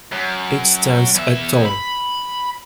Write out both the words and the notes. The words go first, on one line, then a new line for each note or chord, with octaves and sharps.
It stands at tall.
F#2
E2 E5
B5